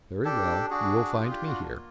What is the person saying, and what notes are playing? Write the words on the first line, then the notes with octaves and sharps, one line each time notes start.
"Very well; you will find me here."
D4 G4 A4
D4 F#4 G#4
F4 G4
G#4
G4
F#4
A#3